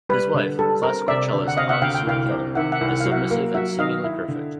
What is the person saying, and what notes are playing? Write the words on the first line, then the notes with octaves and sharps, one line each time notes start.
His wife, classical cellist Han Soo-hyun, is submissive and seemingly perfect.
G3 B4
D3
G3 A4
C4 A#4
C3 D5 E5
D2
F#5
C3 D#5 F5
E5 F#5
D2 F5 G5
G5
C2 F5 G5
C3
D#3 E5 F#5
E5 F#5
C2
F#5
F5
F#3
E5 F#5
A#3
F#3 E5 F#5
D#3 D#5 F5
E4
D3